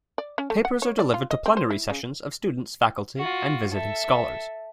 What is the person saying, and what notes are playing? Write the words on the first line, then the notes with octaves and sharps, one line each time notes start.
Papers are delivered to plenary sessions of students, faculty and visiting scholars.
D5
C#4
A3
F#5
C#5
D5
F4
D#5
C4
C5
E4
C#3
F4 F#4
A4 E5